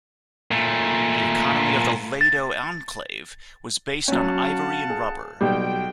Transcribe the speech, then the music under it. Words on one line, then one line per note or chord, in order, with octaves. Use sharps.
The economy of the Lado Enclave was based on ivory and rubber.
A#2 A3
A6
F#3 C#4 F5 F#5 A5
G#4
B1 G3 G5